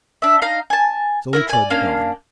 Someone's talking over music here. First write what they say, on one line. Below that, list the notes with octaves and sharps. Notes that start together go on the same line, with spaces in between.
So he trudged on.
D4 E5
D#4 D#5 F5 A#5
G#5 A5
E4 F4 A#4
D5 G#5
A#3 C#4 D4 F5